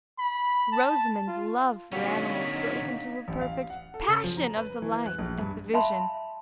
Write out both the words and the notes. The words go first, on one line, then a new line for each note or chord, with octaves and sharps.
Rosamond's love for animals broke into a perfect passion of delight at the vision.
B5
A5
F4
D3 F#3 A#3 C4 C#4 D#4 B6
A1
F5
F#5
A4
C#3
F3
A#5
B4
E3
F#6
A#1
G2
E5 F5 A5 B5 C6